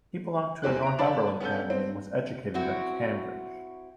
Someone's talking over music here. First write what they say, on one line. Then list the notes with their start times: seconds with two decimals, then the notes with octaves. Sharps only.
He belonged to a Northumberland family and was educated at Cambridge.
0.62 E2 C4 G4 F#6
0.83 A#5 D7
0.99 D4 D5 A5 B5
1.40 B3 C#4 A4 G6
1.70 C4
2.54 C4 E4 F#4